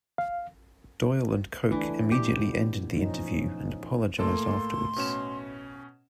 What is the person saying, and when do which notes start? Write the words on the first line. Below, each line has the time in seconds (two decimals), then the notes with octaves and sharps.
Doyle and Koch immediately ended the interview and apologised afterwards.
0.18 F5
1.72 E3 A3 D4
2.11 A#2 B3 G4
2.95 F3 C#4 D#4
4.19 A2 A#3 A4 C6
4.96 B2 C#4 E7